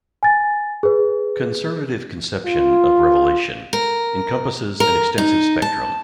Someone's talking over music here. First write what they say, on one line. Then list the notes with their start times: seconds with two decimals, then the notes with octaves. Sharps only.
Conservative conception of Revelation encompasses an extensive spectrum.
0.23 G#5 A6
0.83 G#4 B4
2.45 F4
3.73 A#4
4.80 A#4
5.18 D#4
5.62 A5